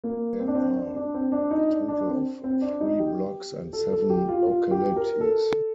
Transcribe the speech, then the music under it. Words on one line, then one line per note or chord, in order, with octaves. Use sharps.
There are a total of three blocks and seven localities.
A#3
C4
D4
C4
D4
D4
C4
D4
D#4
D4
D4
C4
C4
D4
D#4
G4
A4
A4
G4
F4
F4
G4
A#4
A4